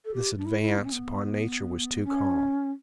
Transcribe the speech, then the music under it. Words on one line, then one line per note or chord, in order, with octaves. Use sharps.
This advance upon Nature was too calm.
A4
G4
D4
E4
E4
B3
C#4
B3
C#4